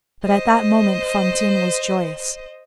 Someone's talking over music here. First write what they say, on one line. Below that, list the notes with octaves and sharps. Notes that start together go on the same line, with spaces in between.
But at that moment Fantine was joyous.
C5 D#5